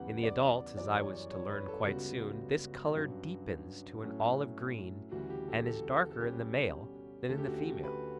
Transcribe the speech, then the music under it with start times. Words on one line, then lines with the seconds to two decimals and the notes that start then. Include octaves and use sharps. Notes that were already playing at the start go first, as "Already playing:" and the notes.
In the adults, as I was to learn quite soon, this color deepens to an olive green and is darker in the male than in the female.
Already playing: E2 C#3 G3 B3 F#5
0.23 D5
0.77 F#2 E3 G3 D5
0.95 C#5
1.14 C#5
1.31 C#5
1.50 B4
1.68 A4
1.86 C#2 C#3 G3 B3 F#4
2.95 G2 F#3 C#4
4.03 A2 F#3 A3 C#4
5.12 D2 C#3 E3 G3 F#4
5.30 G4
5.48 A4
5.66 A4
6.10 A4
6.20 B2 G3 C#4 G4
7.29 D2 D3 A3 C#4 A4
7.38 G4
7.47 F#4
7.56 G4
7.83 B4